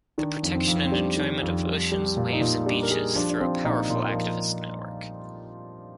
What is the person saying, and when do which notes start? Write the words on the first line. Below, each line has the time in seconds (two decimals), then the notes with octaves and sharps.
The protection and enjoyment of oceans, waves and beaches through a powerful activist network.
0.18 D#3 D4
0.43 F2
0.55 C4
0.67 F2
0.85 C4
0.92 G3 D4
1.17 D#3
1.42 F2
1.67 G3
1.92 G3
2.17 A#2
2.33 D#4
2.41 A#2 F4
2.66 G3 D4
2.83 A#4
2.91 G3 G#4
3.15 F3 D4
3.29 D4
3.40 F3 C4
3.64 A#2 D#4
3.90 A#2 F4
4.09 A#4
4.15 F3